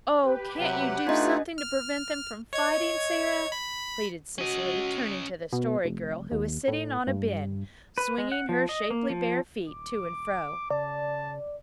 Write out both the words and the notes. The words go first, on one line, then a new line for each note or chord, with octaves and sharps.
"Oh, can't you do something to prevent them from fighting, Sara?" pleaded Cecily, turning to the Story Girl, who was sitting on a bin, swinging her shapely bare feet to and fro.
G4 B4
C3 F#3 F#5
A3 D4 D#4 F4 D#5
F6
C#5 D#5 G#6
B5
C#4 F#4 D#5
B2
F1
D#2
A2
G2
B4
G#3
F#5
F3
D#5
A#3
F3
D#1 D6
C#3 D5 A5